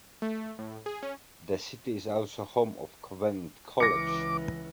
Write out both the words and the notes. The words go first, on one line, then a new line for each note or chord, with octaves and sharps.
This city is also home to Covenant College.
A3
A2
G#4
C#4
C#2 E3 D6 A#6 C#7